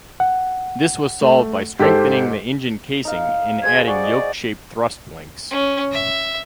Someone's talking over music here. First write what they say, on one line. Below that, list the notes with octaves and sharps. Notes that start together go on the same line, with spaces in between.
This was solved by strengthening the engine casing and adding yoke-shaped thrust links.
F#5
A3
G#2 G4 A4 C5 B6
D#4 F5
G#4 C5 G#6
F#4 G#4 D5
D#5
C#4
E5